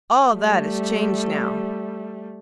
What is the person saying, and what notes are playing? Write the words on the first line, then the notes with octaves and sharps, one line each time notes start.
All that is changed now.
G3 A3